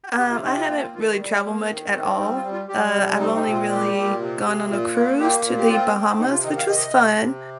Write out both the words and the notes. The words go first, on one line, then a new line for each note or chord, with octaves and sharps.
Um, I haven't really traveled much at all. Uh, I've only really gone on a cruise to the Bahamas, which was fun.
C3 G4
F4
C4 D#4
F4
A#3 F4
F4
D#3 F4
G3
A#3
D#3
C4
G3 D#4
F4
G3
F4
G3 G4
C3
C4 D#4
D#4
A#2
F4
G3 G4
A#2
C3
C3
A#2
A#3
A#3 G4
A#2
G4
C4 F4
C4
C3 D#4
F4
D#3 D#4
F5
C3 D#5
C3
C3